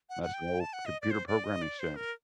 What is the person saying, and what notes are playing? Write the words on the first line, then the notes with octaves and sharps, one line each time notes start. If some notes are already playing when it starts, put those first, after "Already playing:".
That's the whole computer programming saying,
F#5
F#5
G5
A5
F#5
D#5
D5
C5
D5
D#5
D5
C5
A#4